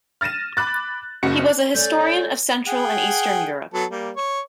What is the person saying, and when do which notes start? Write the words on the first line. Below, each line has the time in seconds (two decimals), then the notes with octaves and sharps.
He was a historian of Central and Eastern Europe.
0.21 F6 A6 A#6 D#7 E7
0.57 B5 D6 F#6 A6
1.23 F#1 C#3 F#4 C#7
1.75 A3 C#4 D5 G6
2.67 G#4 F#5 G5
3.74 F#3 B3 A4
3.91 G3 A#3
4.17 C#5